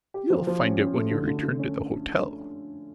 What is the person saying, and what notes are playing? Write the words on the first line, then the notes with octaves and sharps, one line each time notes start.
You will find it when you return to the hotel.
G4
F3
F3
C#4
C#4
A3
D3
D3
D3
C#4